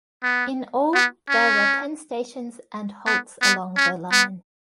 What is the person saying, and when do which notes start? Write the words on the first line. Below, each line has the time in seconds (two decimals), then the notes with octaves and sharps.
In all there were ten stations and halts along the line.
0.23 B3
0.94 B3
1.29 C#4
3.07 B3
3.42 B3
3.76 C#4
4.11 B3